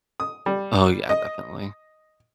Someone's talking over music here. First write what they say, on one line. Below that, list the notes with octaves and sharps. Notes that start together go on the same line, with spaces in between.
Oh, yeah, definitely.
D#6
G3
D#5